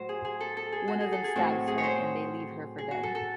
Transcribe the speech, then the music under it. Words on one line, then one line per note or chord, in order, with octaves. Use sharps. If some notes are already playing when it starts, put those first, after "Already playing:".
One of them stabs her and they leave her for dead.
Already playing: A2 F#3 C5
G#4
G#4
A4
A4
G#4
F#4
G#4
A4
G#4
A2 F#3 A3 C4 F#4
G#4
C#5
C5
G#4
F#4
A4
A4